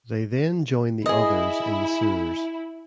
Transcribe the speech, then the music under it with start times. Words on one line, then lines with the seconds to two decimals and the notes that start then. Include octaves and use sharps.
They then join the others in the sewers.
1.06 E4 G#4 D#5